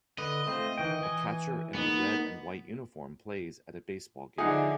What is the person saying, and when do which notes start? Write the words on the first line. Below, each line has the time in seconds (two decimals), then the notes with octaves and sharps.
A catcher in a red and white uniform plays at a baseball game.
0.18 D3 B4 D#5
0.47 A3 C4 F4
0.78 D#3 E3 G5
1.01 E3 G#5
1.75 A#3 B3 D#4
4.38 D3 F3 D#4 F4 G#4 E5 F#5